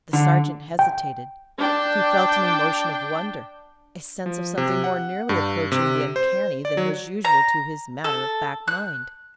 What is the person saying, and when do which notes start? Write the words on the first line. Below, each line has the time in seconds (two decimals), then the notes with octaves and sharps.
The sergeant hesitated; he felt an emotion of wonder--a sense of something more nearly approaching the uncanny than was usual to his matter-of-fact mind.
0.13 D3
0.79 G5
1.59 D4 G5
4.26 F3
4.58 C3
4.84 F#5
5.29 G2
5.72 C3
6.16 C5
6.65 D5
6.77 F#3
7.25 A#5
8.04 A4
8.68 F#6